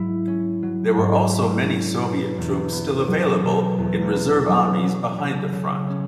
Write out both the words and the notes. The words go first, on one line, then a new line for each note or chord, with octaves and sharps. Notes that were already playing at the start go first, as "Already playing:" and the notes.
There were also many Soviet troops still available in reserve armies behind the front.
Already playing: G#2 F#3 E4
C#4
F#3
G#2
E4
C#4
B2
E2
B3
F#3
B2
E2
B3
F#3
F#3
C#3
C#3
C#4